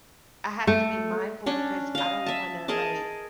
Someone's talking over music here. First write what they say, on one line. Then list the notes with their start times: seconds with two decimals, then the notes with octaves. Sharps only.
I have to be mindful because I don't wanna, like,
0.67 A3
1.46 C#4 D4
1.95 D#5 F5
2.26 E5 A5
2.68 G#4 A#4 D#5 A5